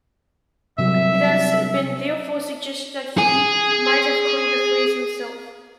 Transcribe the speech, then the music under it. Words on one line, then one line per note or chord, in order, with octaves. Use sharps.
It has been therefore suggested that he might have coined the phrase himself.
C3 F#3 G3 E5
G#4 G#5